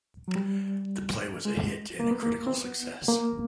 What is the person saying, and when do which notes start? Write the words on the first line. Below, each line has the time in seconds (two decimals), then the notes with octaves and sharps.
The play was a hit and a critical success.
0.28 F#3
0.36 G3
1.45 G#3
2.00 A#3
2.11 B3
2.23 A#3
2.47 C4
2.54 B3
3.08 A#3